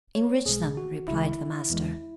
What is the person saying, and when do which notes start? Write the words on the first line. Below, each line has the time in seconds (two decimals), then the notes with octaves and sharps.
"Enrich them," replied the Master.
0.15 C#5
0.46 B1 B2 G#3 G#4
0.77 F#4
1.08 C#2 C#3 G#3 E4
1.70 E2 E3 G#3